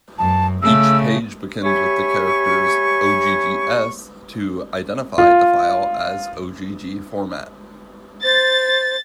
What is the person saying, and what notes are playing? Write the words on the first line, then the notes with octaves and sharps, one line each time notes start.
Each page begins with the characters, "OggS", to identify the file as Ogg format.
F#2 A5
C#3 A3 E6
G4 C#5 E5 G#5 B5 C#6
F4
C5 A6